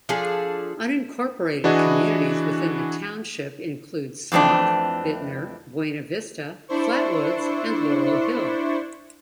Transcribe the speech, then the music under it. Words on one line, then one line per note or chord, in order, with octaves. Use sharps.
Unincorporated communities within the township include Smock, Bitner, Buena Vista, Flatwoods, and Laurel Hill.
F3 D4 G#4 A4
E3 D4 E4 F#4 G#4 D#5
F2 E3 A3 C4 D4
D4 E4 C5 C#6